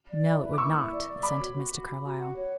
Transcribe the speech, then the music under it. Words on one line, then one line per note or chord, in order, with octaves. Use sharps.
"No, it would not," assented Mr. Carlyle.
D5
E4
B4
D6
E4 C#6 E6
E4
D5
D5
C#5 B5 D6
F#4
F#4
F#4
F#4
F#4
F#5
C#5